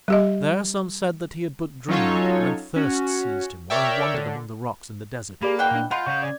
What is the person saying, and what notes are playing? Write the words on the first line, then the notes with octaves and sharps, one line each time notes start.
There some said that he had but dreamed when thirst seized him while he wandered among the rocks in the desert.
G3 G4 D#5
F#3 C#4 D#4 F4 A4 C#5
C#4 F#4
A#4 C#5 D5 E5 G5
D3
A#3 G4 G#4 D5 B5
B2 E3 G5 F#6
A#2 D4
G#3 F4 F#5 B5 C6 G6
C#3 F5 F#5 G#5 C#6
D5 G#6